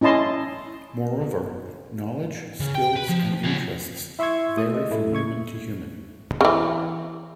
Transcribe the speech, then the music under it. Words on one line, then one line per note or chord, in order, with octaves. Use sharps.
Moreover, knowledge, skills and interests vary from human to human.
C#4 E4 D#5 A5 C6
C#3
G5
B4
F3
F4 C#5
E4 E5 C6 C#6 E6 G#6
A3 D#6
D#5
A2 A3 E4
C#3 E5 C#6 G#6
C#3 E3